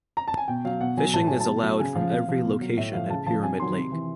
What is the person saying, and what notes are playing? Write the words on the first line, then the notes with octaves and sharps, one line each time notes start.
Fishing is allowed from every location at Pyramid Lake.
A#5
A5
G#5
B2 G5
F#3 F5
B2 F#5
F#3 G#5
A2 A5
F#3 G#5
A5
B2
F#3
C#3 G#5
F3 F5
C3 F5
F3
B2
F#3
A2 E5
F3 F5
C#3 A5
F3 A5
C3 G#5
D#3 F#3 C6
C3
E3